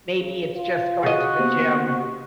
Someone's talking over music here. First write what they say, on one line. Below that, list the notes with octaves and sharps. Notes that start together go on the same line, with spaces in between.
Maybe it's just going to the gym
C#3
F4
C#3 F#4 G#4 D#5
A#3 B3 G4 C5